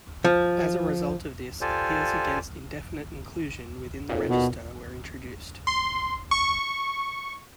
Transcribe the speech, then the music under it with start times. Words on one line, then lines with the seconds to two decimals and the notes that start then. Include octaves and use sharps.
As a result of this, appeals against indefinite inclusion within the register were introduced.
0.24 F3
1.61 F4 G4 A4 C5 D5 G#5
4.09 B1 F2 A#2
4.27 B2
5.67 C6
6.31 C#6